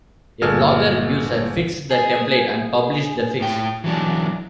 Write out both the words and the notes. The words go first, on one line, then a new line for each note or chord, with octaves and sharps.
A blogger user fixed the template and published the fix.
G1 A#2 G#4 A4 F6
G#4
A2 G5
E3 F#3 G#3 D4